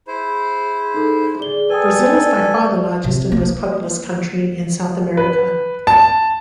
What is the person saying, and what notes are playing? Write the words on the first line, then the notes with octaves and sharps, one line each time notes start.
Brazil is by far the largest and most populous country in South America.
E4 G#4 C5
D#4 A4
G#4 D5 G7
A4 B4 G5 G#5 D#6
C3
A#3
B4
A5